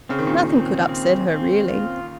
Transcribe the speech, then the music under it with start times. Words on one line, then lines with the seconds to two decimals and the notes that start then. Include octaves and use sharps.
Nothing could upset her, really.
0.09 C#3 C4
0.19 D#3
0.27 A#2 C#3
0.50 C4
0.89 C4
1.29 C4
1.69 F4